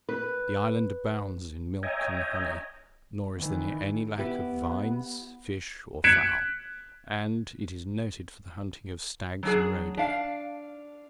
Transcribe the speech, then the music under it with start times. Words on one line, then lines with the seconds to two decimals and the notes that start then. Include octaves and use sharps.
The island abounds in milk and honey, nor is there any lack of vines, fish, or fowl; and it is noted for the hunting of stags and roe-deer.
0.09 B4
1.83 C#5 D#5 E5 G5 G#5 A#5
3.38 D#3 E3
4.18 B3 E4 G4 B4
6.04 F#6 G#6 B6 C#7 D7 E7
9.43 F#3 D4 G#4
9.97 D4 F5